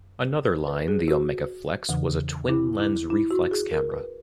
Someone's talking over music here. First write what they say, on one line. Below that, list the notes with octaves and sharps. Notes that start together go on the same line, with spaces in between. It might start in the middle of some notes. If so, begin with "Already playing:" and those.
Another line, the Omegaflex, was a twin-lens reflex camera.
Already playing: F#2
B4
G#4
F#4
E2 C#3 E3
E4
E4
E4
F#4
G#4
A#4
B4